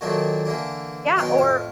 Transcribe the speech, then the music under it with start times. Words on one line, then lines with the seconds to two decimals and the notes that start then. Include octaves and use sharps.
Yeah, or
0.01 A#2 D#3 F#3 A3 A#3 D4
0.45 D3 E3 A#3 D4
1.16 F#2 B2 D#3 B4 G5 C6
1.34 F2 A2 F5